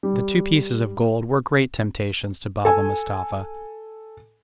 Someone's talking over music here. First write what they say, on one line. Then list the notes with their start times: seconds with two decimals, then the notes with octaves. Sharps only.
The two pieces of gold were great temptations to Baba Mustapha.
0.03 G3
2.65 A4 G#5